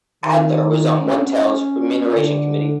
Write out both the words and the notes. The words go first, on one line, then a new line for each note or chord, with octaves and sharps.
Adler was on OneTel's remuneration committee.
D#3
C#4
D3